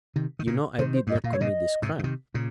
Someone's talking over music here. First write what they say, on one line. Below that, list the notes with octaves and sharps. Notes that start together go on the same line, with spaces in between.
"You know I did not commit this crime."
C3 D#3
D#3
A#2 C#3
C3 D#3 C5
C5
G2 D#5
G#2
A#2 F5
C3 C#5
A#2 C#3 D#5
G#2 C3
C#3
C3 D#3
A#2 C#3